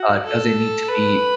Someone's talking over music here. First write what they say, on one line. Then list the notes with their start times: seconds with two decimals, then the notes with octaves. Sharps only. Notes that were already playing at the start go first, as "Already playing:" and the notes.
uh, doesn't need to be
Already playing: F#4
0.25 A4
0.88 B4